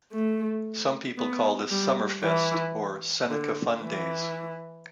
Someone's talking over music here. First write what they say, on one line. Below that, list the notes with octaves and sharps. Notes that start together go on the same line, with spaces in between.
Some people call this "Summer Fest" or "Seneca Fun Days".
A3
B3
G3
E3
D3
E3